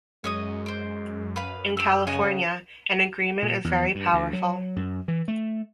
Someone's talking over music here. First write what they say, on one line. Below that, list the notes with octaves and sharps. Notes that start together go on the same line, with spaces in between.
In California, an agreement is very powerful.
F#2 G#3 C#5 D#5 D#6
C5 D6
B4 F5 B5
G4 E6
C#3 D#5 F#5 G#5
A#2
E2
G2
D2
F#3
F#2
E3
A3